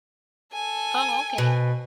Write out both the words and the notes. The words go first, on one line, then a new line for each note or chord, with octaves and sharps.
Oh, okay.
A4 G#5
B2